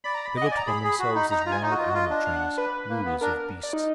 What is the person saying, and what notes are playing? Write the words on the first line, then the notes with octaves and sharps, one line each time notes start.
They looked upon themselves as wild-animal trainers, rulers of beasts.
D5 B5
A#5
B5
D#5
F#5
G#5
D5
A#5
G#4 B5
G#4
F#4
D#4
D#4 A#5
A#5
F4
G#5
D#4 D#5
F#4
F4
F#4
F4
D4
F5
F#5
B4
A#3
B3
D4 A#4
D5
D#4